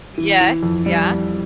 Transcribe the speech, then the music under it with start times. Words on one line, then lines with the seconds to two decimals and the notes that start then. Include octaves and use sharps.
Yes, yeah.
0.18 E3
0.41 E3
0.63 F2
0.86 G3